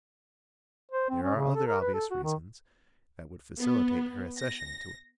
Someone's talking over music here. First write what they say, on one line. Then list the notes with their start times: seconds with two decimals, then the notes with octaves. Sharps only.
There are other obvious reasons that would facilitate her accession to it.
0.92 C5
1.10 C4
1.23 C#4
1.36 C#3
1.55 A4
1.67 A#4
1.81 B4
1.94 A4
2.11 F#4
2.24 D#3
3.59 B3
4.38 A#6